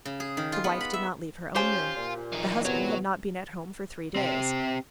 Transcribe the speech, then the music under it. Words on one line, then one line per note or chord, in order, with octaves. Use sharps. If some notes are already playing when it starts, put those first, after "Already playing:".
The wife did not leave her own room, the husband had not been at home for three days.
C#3
G#4
D#3
F4
B3
B5
E5
C#4 F4 G4 C5 G#5 C6
A#2
E3 D#4
E2 C3 F#3 B3 C#5
C4 G4